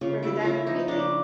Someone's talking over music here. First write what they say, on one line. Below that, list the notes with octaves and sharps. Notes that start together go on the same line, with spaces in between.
for the diamond painting?
C#3 F4
A3 E4
C#3 E4 F4
F3 D#4
C#3 D4